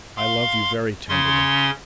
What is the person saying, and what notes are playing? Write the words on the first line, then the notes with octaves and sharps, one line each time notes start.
I love you very tenderly.
F5 C6
C#3 C#4 C6